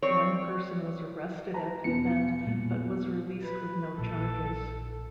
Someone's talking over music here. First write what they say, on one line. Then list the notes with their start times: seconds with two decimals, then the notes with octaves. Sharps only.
One person was arrested at the event but was released with no charges.
0.02 C4 C#5 D5
1.54 B4 A5 A#5
1.84 E2 B2 C#7
2.47 A#2 G3
3.44 B4
3.98 A#1 A4